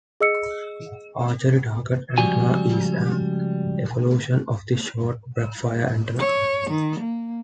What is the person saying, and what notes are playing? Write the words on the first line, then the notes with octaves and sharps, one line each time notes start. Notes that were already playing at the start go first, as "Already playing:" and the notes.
Archery target antenna is an evolution of the short-backfire antenna.
G#4 D#5 E6 C#7
C#2 G2 F3 G3 F#4 G#5
C#5
D#3
A#3